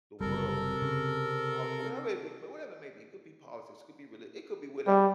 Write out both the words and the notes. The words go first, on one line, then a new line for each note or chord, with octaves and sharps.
the world and and pol whatever it be, whatever it may be, it could be politics, it could be reli it could be whatever.
F#1 C2 C3 G3 A4 A#4
C#3
G3